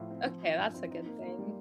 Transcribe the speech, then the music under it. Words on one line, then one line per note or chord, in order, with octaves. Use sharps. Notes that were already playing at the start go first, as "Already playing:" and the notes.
Okay, that's a good thing.
Already playing: A2 F3 F4
C4
F3
F4
G2
C4
D#4
A#3
A#3
G3